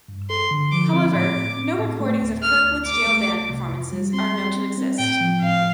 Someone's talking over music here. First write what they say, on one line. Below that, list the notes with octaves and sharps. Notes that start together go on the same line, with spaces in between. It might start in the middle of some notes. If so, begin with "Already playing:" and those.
However, no recordings of Kirkwood's jail band performances are known to exist.
G2
A4 C6
D3
F3 D6
C4
A2 D6
A2
C4
A2
A3
D2
A3 F6
D2
C2 D6
A3
C2
C3
F2
G3
C4 C6
G3
C4
C4
A2 G5
F3
A2 F5